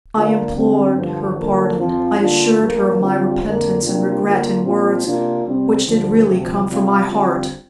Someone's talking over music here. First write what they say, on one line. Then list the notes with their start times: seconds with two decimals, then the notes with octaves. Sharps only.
I implored her pardon; I assured her of my repentance and regret in words which did really come from my heart.
0.15 D3 A#3 D4 F4
0.55 D3 G3 C4
0.96 G2 D3 F3
1.37 D3 F3 A#3
1.78 F2 F3 C4 F4
2.19 D3 A#3 D4 F4
2.59 G2 F3 A#3
3.00 D3 G3 C4 F4
3.41 F2 D3 A#3
3.82 C3 G3 A#3 D4 F4
4.23 D3 A#3 F4
4.64 A#2 F3 C4 F4
5.05 C3 A#3 D4 F4
5.46 C3 G3 C4
5.87 D2 D3 F3
6.27 D2 C3 F3
6.68 C3 G3 C4 F4
7.09 D3 G3 C4 F4